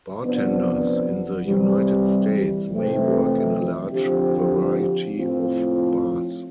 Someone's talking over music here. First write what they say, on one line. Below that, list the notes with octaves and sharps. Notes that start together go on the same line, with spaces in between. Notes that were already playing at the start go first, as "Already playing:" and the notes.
Bartenders in the United States may work in a large variety of bars.
C3 F3 B3 D4
C3 E3 G3
F2 C3 E3 A3 C4
D3 F3 C4 G4
A2 F3 C4 F4